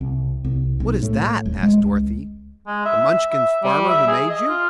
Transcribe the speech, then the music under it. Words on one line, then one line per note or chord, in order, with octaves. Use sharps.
"What is that?" asked Dorothy; "the Munchkin farmer who made you?"
C2
C2
B1
A2
D#1
G#3
C#2
G#3
E5
E5
G3
E5
G#4
D#5
F4